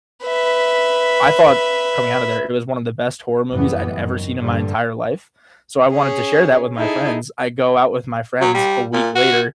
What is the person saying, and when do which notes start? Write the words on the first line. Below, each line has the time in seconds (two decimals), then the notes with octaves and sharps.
I thought, coming out of there, it was one of the best horror movies I'd ever seen in my entire life, so I wanted to share that with my friends. I go out with my friends a week later,
0.24 B4 E5
3.52 F#1 F2 A2 E3 G3 B3
3.95 F#2 D#3
4.41 G2 A#2 D3 F3 G3
5.92 C#4 G#4
6.76 D#4 E4 G#4 A4
8.41 F#3
8.54 G3
8.93 A#2
9.15 F#4